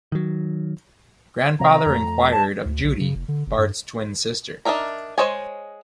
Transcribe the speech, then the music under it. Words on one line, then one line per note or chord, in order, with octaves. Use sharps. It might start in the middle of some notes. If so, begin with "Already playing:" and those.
Grandfather inquired of Judy, Bart's twin sister.
D#3 F#3
C3 F3 A#5
F2 A3
A5
D2
B1
C#3
F1
D3
F#1
G2
D4 D#4 A#4 E5 A#5
G#3 C5 C#5 D#5 G#5